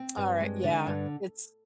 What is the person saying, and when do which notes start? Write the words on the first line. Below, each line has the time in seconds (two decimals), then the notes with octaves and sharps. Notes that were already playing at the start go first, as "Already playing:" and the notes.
Alright, yeah, it's
Already playing: C4
0.17 G2
0.41 G#3
0.63 D3
0.87 G2